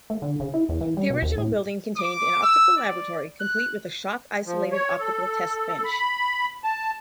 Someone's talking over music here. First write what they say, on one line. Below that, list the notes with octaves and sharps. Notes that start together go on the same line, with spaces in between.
The original building contained an optical laboratory complete with a shock-isolated optical test bench.
A3
D3
C#3
E4
E2
E3
G3
B2
D#2
A2
D6
E6
D5
F#6
F3
C#5
A4
B5
A5